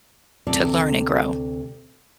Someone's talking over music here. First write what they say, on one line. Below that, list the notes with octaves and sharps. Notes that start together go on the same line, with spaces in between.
to learn and grow.
D2 C3 A4 D5